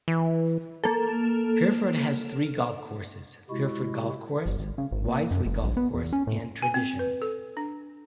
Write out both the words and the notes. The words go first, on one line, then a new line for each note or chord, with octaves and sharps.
Pyrford has three golf courses: Pyrford Golf Course, Wisley Golf Course and Traditions.
E3
A#3 A4
C3 G#3 E4 F#4
G1
G#1
C#3
G#1
A#2
F#2
F#1
A#1
B3
E2
C#4
A2
G#5
C4
B4
A4
D4